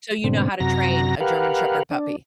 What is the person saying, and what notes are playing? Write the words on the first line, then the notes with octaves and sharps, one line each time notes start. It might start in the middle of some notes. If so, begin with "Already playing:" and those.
So, you know how to train a German Shepherd puppy?
G#2 B2 D3 C4
F#2 C3 F#4 A#5 A#6
G4 A#4 B4 F5 F#5
D4